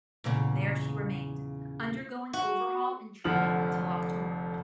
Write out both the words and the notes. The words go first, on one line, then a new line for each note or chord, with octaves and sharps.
There she remained, undergoing overhaul and training until October.
E2 A#2 C#3
F#4
F1 D3 F3 F#5 F6 F#7